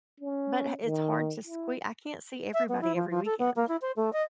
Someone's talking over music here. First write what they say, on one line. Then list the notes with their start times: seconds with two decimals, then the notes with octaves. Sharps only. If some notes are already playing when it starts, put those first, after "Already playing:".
but it's hard to sque I can't see everybody every weekend,
0.20 C#4
0.86 D#3
1.47 E4
2.53 E5
2.68 B3
2.81 E4
2.96 F3
3.10 F3
3.25 A4
3.39 B3
3.56 A#3
3.68 E4
3.81 C5
3.96 A3
4.13 D#5